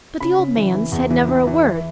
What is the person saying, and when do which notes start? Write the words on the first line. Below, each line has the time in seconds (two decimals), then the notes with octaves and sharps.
But the old man said never a word.
0.20 C#3 B5
0.38 C#3
0.56 E3
0.75 E3
0.92 E2
1.10 E3
1.28 E3
1.47 E3
1.65 E3